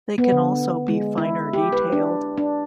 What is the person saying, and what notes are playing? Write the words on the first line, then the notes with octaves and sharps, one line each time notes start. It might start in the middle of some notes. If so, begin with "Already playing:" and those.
They can also be finer detailed.
B3
D3
G#3
E4
G4
B4
D4
D4